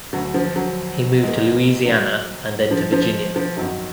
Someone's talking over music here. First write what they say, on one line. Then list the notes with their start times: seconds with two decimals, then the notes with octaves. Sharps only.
He moved to Louisiana and then to Virginia.
0.13 D2 D3 F#3
0.34 F3
0.56 F#3
1.23 G#3
1.28 A#3
1.56 A#3
1.85 F#3
2.71 F3
2.92 F3
3.36 F3
3.57 G#1 F#2 D#3 F#3